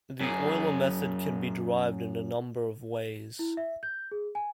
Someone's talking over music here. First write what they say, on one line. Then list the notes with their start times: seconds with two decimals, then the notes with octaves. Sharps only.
The Euler method can be derived in a number of ways.
0.21 F#2 G#4
3.39 E4
3.57 E5
3.83 G6
4.11 G#4
4.35 G#5